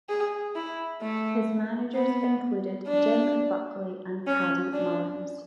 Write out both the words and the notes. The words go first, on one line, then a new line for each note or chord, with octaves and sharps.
His managers included Jim Buckley and Paddy Mullins.
G#4
E4
A3
B3
D4
C#4
D4